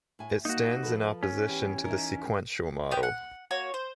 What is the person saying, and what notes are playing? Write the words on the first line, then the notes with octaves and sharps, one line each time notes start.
It stands in opposition to the sequential model.
A2 G#5
A#3 D#4 F#4
F3 A4 B4
C#4
E2 E3 G4
E3 D#4 A#4
B3 G4 G5
F#5
A#3 F#4 C#5
C5